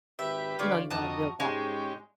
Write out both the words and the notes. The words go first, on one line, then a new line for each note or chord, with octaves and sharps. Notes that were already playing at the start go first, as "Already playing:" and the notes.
you know, you wanna build that bond.
G#1 G4 B4 E5
D2 F4 C#5 D5
F2 F#4 D#5 A5 A#5 D6 F#6
G#2 G#3 C#4 G4